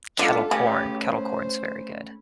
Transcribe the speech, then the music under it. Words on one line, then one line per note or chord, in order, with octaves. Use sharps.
kettle corn, kettle corn's very good.
F#2 D3 G#3 B3 F4 A4
C#3 A3 C#4 G4 B4
C5